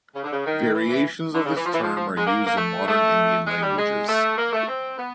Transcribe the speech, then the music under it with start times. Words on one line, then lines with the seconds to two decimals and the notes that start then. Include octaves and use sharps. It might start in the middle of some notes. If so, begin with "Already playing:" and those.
Variations of this term are used in modern Indian languages.
0.15 C#3
0.24 D3
0.32 C#3
0.45 D#3
0.75 E3
0.90 E3
1.35 D3
1.46 C#3
1.55 E3
1.66 F3
1.73 E3
1.82 F3
1.96 F3
2.17 G#3
2.26 A#3
2.46 A#3
2.56 A3
2.87 A3
3.47 G#3
3.63 G3
3.77 G#3
4.08 A3
4.38 A#3
4.53 A3
4.67 C4
4.97 B3